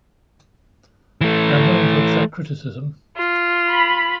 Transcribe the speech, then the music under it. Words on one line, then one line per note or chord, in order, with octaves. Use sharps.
I am willing to accept criticism.
E3 A3
F4
B5